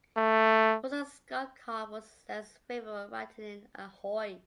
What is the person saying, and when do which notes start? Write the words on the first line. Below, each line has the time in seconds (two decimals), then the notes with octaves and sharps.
Orson Scott Card was less favorable, writing in Ahoy!
0.17 A3